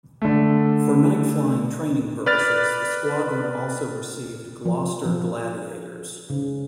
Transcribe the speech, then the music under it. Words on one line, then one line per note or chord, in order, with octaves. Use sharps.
For night-flying training purposes the squadron also received Gloster Gladiators.
D3 A3
B4 D5 F6 A6
F3
F3
C#3